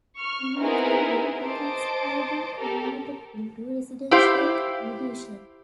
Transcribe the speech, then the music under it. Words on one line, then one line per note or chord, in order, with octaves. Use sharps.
Many of the mill buildings have been converted into residential accommodation.
C#6 F6
B3 C4 D#4 E4 G#4 A#4
C5 D#5 A5 D6 D7
G4 A4 A#4
E4 G4 C5 F5